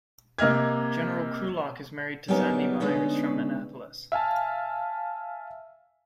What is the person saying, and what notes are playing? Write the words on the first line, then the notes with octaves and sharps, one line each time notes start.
General Krulak is married to Zandi Meyers from Annapolis.
C3 A#3 D#5 F6 G#6
F#3 G3 A#3 B3 C#4 D#4
D3 G#3 B3 C#4 D#4
E5 F5 G#5 A5